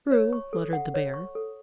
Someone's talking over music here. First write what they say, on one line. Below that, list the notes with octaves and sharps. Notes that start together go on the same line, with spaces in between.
"True," muttered the Bear.
C#5
C#6
A4
F#5
C#5
C#6
A4